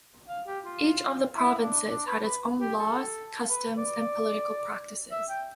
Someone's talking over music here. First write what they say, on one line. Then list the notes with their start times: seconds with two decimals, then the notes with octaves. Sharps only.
Each of the provinces had its own laws, customs and political practices.
0.29 F5
0.47 G4
0.65 F4
1.36 E4
1.63 D4
1.90 D4
2.07 B4
2.26 B4
2.61 G4
2.79 A4
3.50 B4
3.78 D5
5.12 E5
5.29 G5